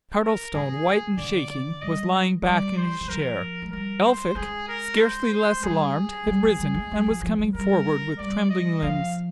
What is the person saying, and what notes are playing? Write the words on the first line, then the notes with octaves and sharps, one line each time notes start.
Cardlestone, white and shaking, was lying back in his chair; Elphick, scarcely less alarmed, had risen, and was coming forward with trembling limbs.
A#4
D#3 G#4
D3 D5
D5
G3 D#5
G3 D5
C5
D#3
F3 A#4
G#3
G3 A#4
C5
G#3 G#4
A#4
C5
C5
G3 G#4
G3
F3
G3
G#3
G3
F3
F3
G3
G3 A#4
G3 D5
D#5
F3 F5